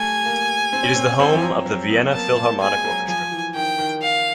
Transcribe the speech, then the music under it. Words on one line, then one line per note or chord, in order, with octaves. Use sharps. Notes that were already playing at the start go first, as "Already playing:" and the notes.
It is the home of the Vienna Philharmonic orchestra.
Already playing: G3 A3 G#5
A#3
C4
C#4
C4
C4
F3
F#3
F#3
B3
A#3 A5
A#3
G#3 G#5
F#3
F3 G#5
E3
D#3 G5
D#3
F5